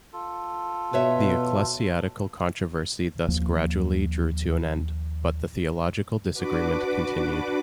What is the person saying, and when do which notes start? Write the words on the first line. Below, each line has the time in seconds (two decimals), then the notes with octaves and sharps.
The ecclesiastical controversy thus gradually drew to an end, but theological disagreement continued.
0.13 F4 A4
0.93 B2 B4 C#5 E5
3.28 D#2 F3 A#3
6.33 D4 F#4 B4 D6